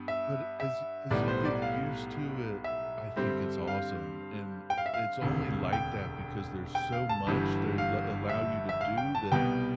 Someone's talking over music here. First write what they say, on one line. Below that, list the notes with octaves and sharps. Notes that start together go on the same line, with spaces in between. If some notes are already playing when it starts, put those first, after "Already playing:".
But as as you get used to it, I think it's awesome, and it's only like that because there's so much they la allow you to do that
Already playing: G2 B3
E5
E5
B1 A2 G3 B3 D5
C5
D5
F5
E5
G2 D3 G3 C4
F5
G5
F5
E5
F5
E1 D2 C3
G5
G5
F5
A5
G1 G2 E3 G3
F5
E5
E5
F5
G5
A5
C2 B2 G3 B3 G5